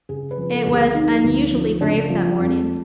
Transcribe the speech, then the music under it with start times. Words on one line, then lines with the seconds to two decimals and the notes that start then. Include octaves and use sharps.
It was unusually grave that morning.
0.09 C#3 G#4
0.31 B4
0.38 F3
0.52 A4
0.67 D2
0.73 G#4
0.95 F3 D#4
1.24 D2
1.53 F3
1.81 C#3 D4
2.10 F3
2.38 F2